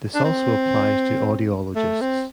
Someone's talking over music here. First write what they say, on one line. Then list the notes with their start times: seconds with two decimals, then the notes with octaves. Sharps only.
This also applies to Audiologists.
0.14 D4
0.25 C4
1.76 A3
2.01 C4